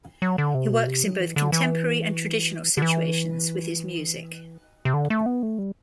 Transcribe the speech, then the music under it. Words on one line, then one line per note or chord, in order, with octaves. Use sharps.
He works in both contemporary and traditional situations with his music.
F#3
D3
C3
B2
C3
F#3
E3
D3
E3
D3
E3
C3
D3
A3
B3
A3
G3